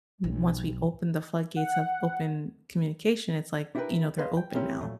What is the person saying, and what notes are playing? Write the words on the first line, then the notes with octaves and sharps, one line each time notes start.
n once we open the floodgates of open communication, it's like, you know, they're open now,
B1
F#5
D4 E4 G4 G#4 A#4 B4
G#4 B4 C5 D#5 F5
G5
C4 C#4 E4 G4 A#4
A#2 F#3 A3